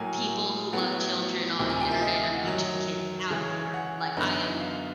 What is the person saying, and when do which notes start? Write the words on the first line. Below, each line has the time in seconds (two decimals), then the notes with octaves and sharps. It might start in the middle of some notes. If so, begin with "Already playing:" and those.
people who love children on the internet and YouTube kids out of here, like, I am
Already playing: A2 F#3 A#3 G#5
0.73 A2 F#3 B3 F#5
1.59 D2 C3 F3 A#3 D#4 G5
1.69 G#5
1.81 G5
1.91 E5
2.02 D#5
2.23 D#5
2.34 F#5
2.45 F#2 D#3 F#3
3.30 C#3 E3 G#3 C#4
3.74 F#5
4.17 F#2 D3 F#3 B3 D#4
4.60 F5